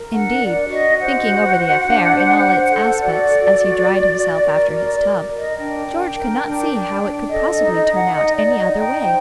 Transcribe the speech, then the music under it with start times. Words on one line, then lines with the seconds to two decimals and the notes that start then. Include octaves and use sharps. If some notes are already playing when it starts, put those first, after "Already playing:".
Indeed, thinking over the affair in all its aspects as he dried himself after his tub, George could not see how it could possibly turn out any other way.
Already playing: A#4
0.13 D4 F#5
0.42 D4 D5
0.70 F#4 D#5
0.99 C5 F#5
1.28 F#4
1.57 C5
1.86 D4
2.14 C5
2.43 C5
2.71 A4
3.00 F#4 D5
3.28 A4
3.57 F#4
3.87 F#4
4.15 F#4
4.44 A#4
4.71 A#4 D5
4.93 D5
5.00 A#4
5.29 A#4
5.37 D#5
5.58 D4 G5
5.86 D4
6.15 A#4
6.44 D4
6.72 D4
7.01 D4
7.29 A4 D#5
7.51 D#5
7.59 D#4
7.73 D#5
7.87 D#4
7.95 F#5
8.16 D#4 D#5
8.37 D5
8.45 D#4
8.58 D#5
8.73 D#4
8.80 G5
9.01 C5 G5